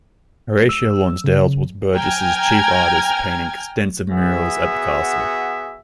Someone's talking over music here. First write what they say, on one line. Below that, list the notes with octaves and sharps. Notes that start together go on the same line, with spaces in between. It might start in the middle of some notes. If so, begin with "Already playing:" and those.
Horatio Lonsdale was Burges's chief artist, painting extensive murals at the castle.
E6
C#3
G5 G#5 A#5 F6 G#6
B3 F#4 G#4 E5